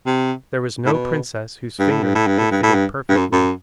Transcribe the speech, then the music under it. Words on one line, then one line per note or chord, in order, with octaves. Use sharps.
There was no princess whose finger it fitted perfectly.
C3
A2
B2
G2
A2
G2
A2
G2
A2
G2
A2
G2
G2
F#2
F#2